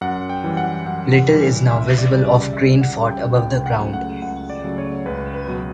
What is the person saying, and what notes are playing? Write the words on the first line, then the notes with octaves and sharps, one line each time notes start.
Little is now visible of Grain Fort above the ground.
F#2 F#5
G5
E3 G3
F#5
F#2 F#5
F#5
E3 G3
C#2 E5
D5
C#3 G3
D5
C#2 E5
F#5
C#3 G3
G5
C#2 G5
G5
F#5
C#3 F#3 A3
F#5
C#2 F#5
D5
C#3 F#3 A3
C#5
C#2 B4
B4
B2 F#3